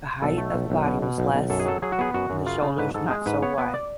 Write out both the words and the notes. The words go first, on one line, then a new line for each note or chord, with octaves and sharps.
The height of the body was less, and the shoulders not so wide.
B1 A4
A3
B1
B1
B2
B2
B1
B1
F#2 A4
G#4
F#3 A4
F#3 G#4
F#4
B3 G#4
F#2 F#4
F#2
C#3 F4
C#3
G#2 B4
G#2 A4
G#3 G#4
G#2 B4
B3 C#5
B3
D5